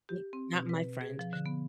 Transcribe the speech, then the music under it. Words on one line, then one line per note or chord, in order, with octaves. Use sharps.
M not my friend.
G4
C4
B2
B4
G#4
F3
D3
B3